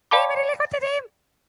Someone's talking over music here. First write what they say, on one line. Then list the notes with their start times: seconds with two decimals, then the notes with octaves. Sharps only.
He immediately quit the team.
0.11 D5 F5 G5 A5 B5 D6